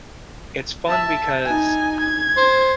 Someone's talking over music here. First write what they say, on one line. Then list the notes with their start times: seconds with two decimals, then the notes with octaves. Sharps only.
it's fun because
0.88 E5 A5
1.46 D#4 G#5
2.00 G#6
2.37 C5